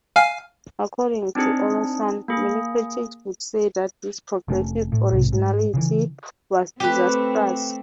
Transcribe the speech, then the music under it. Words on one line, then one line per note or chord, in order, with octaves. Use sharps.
According to Olleson, many critics would say that this progressive originality was disastrous.
F5 G#5 F6
C4 D4 D#4 G#4
A#3 G#4
F1 F2 A3 C#4
A2
B1 G#2 C3
G#2
C#3 E3
A3 C4 G4 B4